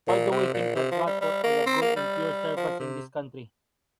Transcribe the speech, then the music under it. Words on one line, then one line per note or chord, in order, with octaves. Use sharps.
Why do we think that God put all the good and pure servants in this country?
A#2
C3
A#2
C3
F3
G3
G3
A#3
C4
A#3
G3
F3
C3